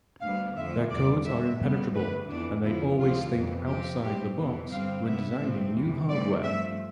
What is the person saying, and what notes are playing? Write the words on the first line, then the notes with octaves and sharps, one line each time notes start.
Their codes are impenetrable, and they always think "outside-the-box" when designing new hardware.
D2 D3 G3 B3 F5
F2 D3 F3 A3 E5
E2 D3 G3 B3 D5
B2 B3 E5
F2 C3 G3 B3
G2 D3 A3 B4
F2 E3 B3 D4
F2 D3 F3 B3 E4
D2 D3 F3 C4 F4
F2 C3 E3 B3
C3 F3 C4 G4
A2 G3 C4 G4
F2 E3 B3
G2 D3 G3 C4 F5
C3 G3 B3 E5
A2 F3 A3 C4
E2 C3 E3
G2 E3 A3 C4 D5
G2 F3 A3 E5